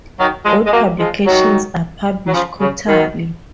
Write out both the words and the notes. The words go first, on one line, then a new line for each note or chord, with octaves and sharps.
Both publications are published quarterly.
D#3 F#3
F3 G#3
G#3
F#3 A#3
F3 G#3
D#3 F#3
F#3
C#3 F3
C#3
B2 D#3